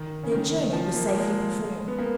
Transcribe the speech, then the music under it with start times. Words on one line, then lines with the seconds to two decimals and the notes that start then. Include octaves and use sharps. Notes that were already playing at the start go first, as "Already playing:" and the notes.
Their journey was safely performed.
Already playing: D#3
0.23 C#3
0.31 D#3
0.73 F3
0.94 A#3
1.15 G#3
1.88 B3
1.99 A#3